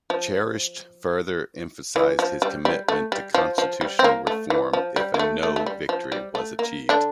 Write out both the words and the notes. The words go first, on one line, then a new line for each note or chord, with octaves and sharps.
Charest further emphasized his commitment to constitutional reform if a "No" victory was achieved.
F3
E3
F3
G3
G3
A3
G3
F3
F3
G3
C4
A#3
A3
E3
F3
G3
A#3
A3
A3
A3
G3
F3
G3
A3
A#3
D3 D4